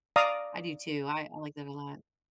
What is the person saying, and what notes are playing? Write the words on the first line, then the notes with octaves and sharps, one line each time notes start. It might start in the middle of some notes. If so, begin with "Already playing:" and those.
I do too. I I like that a lot.
D5 F5 A#5 D#6